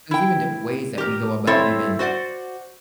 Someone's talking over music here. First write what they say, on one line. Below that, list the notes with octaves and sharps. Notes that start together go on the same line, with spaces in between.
There's even different ways that we go about even,
E4 G5
G4 A#4
C4 E4 A4 C5 C#5 E5
F#4 C5 D5 F#5